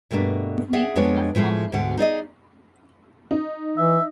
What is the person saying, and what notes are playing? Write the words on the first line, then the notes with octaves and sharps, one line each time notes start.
His name is not common in Finland.
G2 B2 A3 A#3 D4
G#4 D5 E5 F#5 G5
F2 G#3 B3 D4 F4 C#5
A2 F3 G#3 A3
D2 G#2 B2 D3 F#5
D#4 G#4 D5 D#5
D#4
E3 E5